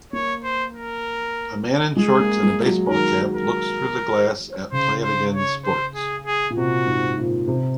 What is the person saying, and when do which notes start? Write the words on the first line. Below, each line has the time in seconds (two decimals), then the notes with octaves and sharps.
A man in shorts and a baseball cap looks through the glass at Play It Again Sports.
0.13 A#3 C#5
0.44 C5
0.74 A#4
1.96 G#3 G#4
2.20 A#3
2.43 G#3
2.65 F#3
2.88 D#3 A#4
3.34 A#4
4.72 C#3 C5
5.03 C5
5.34 C#5
5.65 C5
5.95 G#4
6.26 G#4
6.50 A#2
6.56 C3 F#4
6.86 G#2
7.18 A#2
7.48 C3